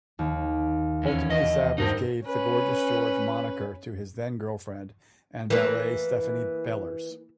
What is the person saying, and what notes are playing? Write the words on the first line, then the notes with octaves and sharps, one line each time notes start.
Ultimately, Savage gave the Gorgeous George moniker to his then-girlfriend and valet Stephanie Bellars.
D#2
E2 C#4
E2 D#5
G2 D#4 A#4 C5
C#4 B4
E3 A#3